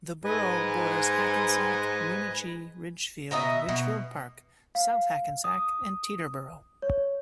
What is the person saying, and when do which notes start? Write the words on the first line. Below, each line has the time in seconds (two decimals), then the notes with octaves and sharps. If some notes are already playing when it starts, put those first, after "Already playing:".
The borough borders Hackensack, Moonachie, Ridgefield, Ridgefield Park, South Hackensack and Teterboro.
0.24 G#2 B4 D#5 G#5
3.31 B2 D#5 E5 A#5
3.69 B2
4.75 F5
5.44 D#6
6.82 C#5